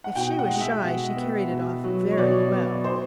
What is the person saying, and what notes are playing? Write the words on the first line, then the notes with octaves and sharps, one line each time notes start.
If she was shy, she carried it off very well.
F#5
B2 G5
F#5
G#3
E5
B2
B3
B2
F#3
C#5
B2 D5
B3
C5